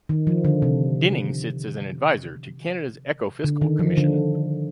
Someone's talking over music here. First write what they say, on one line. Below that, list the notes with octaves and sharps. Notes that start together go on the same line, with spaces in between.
Dinning sits as an advisor to Canada's Ecofiscal Commission.
D#3
F3
D3
C3
D3
D#3
F3
D3